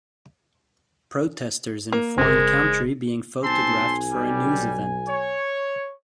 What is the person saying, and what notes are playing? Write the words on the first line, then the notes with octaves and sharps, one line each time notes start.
Protesters in a foreign country being photographed for a news event.
A#3
G1 C#3 G#3 C4 A#4
B1 C4 G#5 A5 C6
G3
C#5